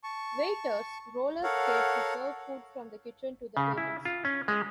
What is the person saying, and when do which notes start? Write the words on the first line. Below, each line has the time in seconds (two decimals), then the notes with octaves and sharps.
Waiters roller-skate to serve food from the kitchen to the tables.
0.04 A5 C#6
1.43 A4 A#4 C#5 F5 F#5
3.57 C#3
3.78 E4
4.05 F4
4.25 C#4
4.48 G#3